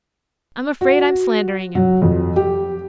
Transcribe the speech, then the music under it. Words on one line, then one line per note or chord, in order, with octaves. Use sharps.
I'm afraid I'm slandering him.
F#4
F#3
F2
G4